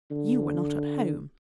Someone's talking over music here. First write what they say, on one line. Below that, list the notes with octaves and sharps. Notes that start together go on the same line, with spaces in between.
You were not at home.
D3